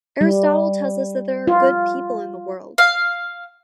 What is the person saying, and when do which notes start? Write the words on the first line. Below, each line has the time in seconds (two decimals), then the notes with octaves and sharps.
Aristotle tells us that there are good people in the world.
0.21 G3
1.47 F4
2.78 F5